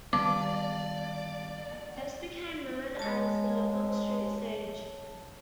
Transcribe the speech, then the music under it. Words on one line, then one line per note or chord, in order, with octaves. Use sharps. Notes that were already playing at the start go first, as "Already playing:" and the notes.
This became known as the Fox Street Siege.
D#3 G3 B3 D5 F5 A5 D6
G#3 C#5 A5